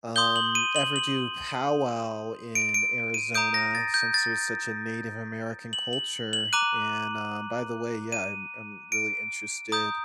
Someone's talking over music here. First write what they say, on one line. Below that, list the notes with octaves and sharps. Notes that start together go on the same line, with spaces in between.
um, ever do powwow in Arizona, since there's such a Native American culture, and, um, by the way, yeah, I'm I'm really interested
C6 D#6 G6 G7
F#7
D#7
F#7
F#7
D7
D7
D#7
A#5 D#6 G6 D7
A#6
A6
G6
A6
F#7
F#7
F#7
A#5 D6 F#6 D#7
D#7
D7
A#5 D#6 G6